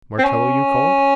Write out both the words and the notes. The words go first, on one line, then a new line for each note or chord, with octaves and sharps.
Martello you call it?
C4
C#4